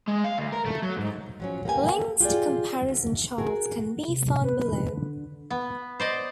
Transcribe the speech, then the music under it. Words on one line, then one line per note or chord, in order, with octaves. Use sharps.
Links to comparison charts can be found below.
G#3
F5
D2
A#4
A3
F#3
G#2
F3 F#3 C#4
A#3 B3 G4 G#5
F4 G4 G#4 D5
D2
F#4 G#4 A#4
C3
B4
D3
B3
C5 D5 D#5